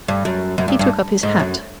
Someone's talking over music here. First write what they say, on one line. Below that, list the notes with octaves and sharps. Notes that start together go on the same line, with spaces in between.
He took up his hat.
G2
F#2
F#2
G2
G2
G#2
F#2